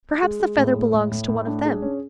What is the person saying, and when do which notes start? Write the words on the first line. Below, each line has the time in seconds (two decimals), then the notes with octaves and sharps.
Perhaps the feather belongs to one of them.'
0.23 G#3
0.40 G#3
0.57 A2
0.75 A2
0.93 A2
1.11 A2
1.28 A2
1.47 D4
1.65 G#4
1.82 C#4